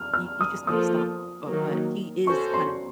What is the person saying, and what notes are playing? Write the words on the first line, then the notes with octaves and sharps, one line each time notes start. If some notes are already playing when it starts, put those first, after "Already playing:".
he he just kinda stopped. Oh, but he is kind of
Already playing: F6
F6
D#6
F3 A#3 F4 A4 D#6
D#3 F#3 A#3
C#4 F#4 A4 C5 C#6
C6